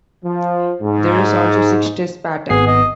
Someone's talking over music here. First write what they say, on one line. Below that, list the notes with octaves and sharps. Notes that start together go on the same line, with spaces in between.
There is also six-stress pattern.
F3
G#2
G#1 B3 G#4 C7
D#5